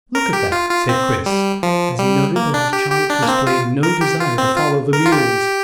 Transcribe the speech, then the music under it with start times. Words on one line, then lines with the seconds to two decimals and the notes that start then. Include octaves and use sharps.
"Look at that," said Chris, as he noted that his charge displayed no desire to follow the mules.
0.15 A#4
0.33 G4
0.52 F4
0.70 F4
0.89 C4
1.26 G3
1.63 F3
1.99 G3
2.36 A#3
2.54 D4
2.73 G4
2.91 G4
3.10 D4
3.22 A#3
3.28 C4
3.47 F4
3.83 A#4
4.01 G4
4.20 F4
4.38 C4
4.56 F4
4.93 A#4
5.06 F4
5.12 G4